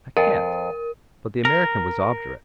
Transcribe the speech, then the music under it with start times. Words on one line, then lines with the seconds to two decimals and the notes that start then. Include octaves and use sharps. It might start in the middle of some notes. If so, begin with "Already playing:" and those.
I can't!' But the American was obdurate.
0.17 F2 A#4
1.45 A#4